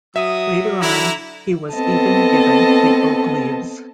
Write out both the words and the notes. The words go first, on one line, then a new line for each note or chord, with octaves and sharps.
Later on he was even given the Oak Leaves.
F#3 E5 D#6
D3 E4 A#5
B3 C4 A4 D#5 A5